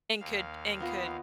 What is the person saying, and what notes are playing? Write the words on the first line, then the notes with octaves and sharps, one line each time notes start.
could and could
D#2 F5
B3 F4 D#5